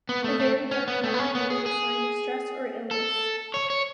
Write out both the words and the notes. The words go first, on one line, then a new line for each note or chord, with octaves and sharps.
A very dark color may be a sign of stress or illness.
B3
A3
A3
C#4
B3
A3
B3
C#4
B3
G#4
G#4
A4
C#5
C#5